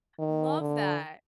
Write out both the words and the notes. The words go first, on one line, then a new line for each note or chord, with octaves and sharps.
Love that.
D#3
D3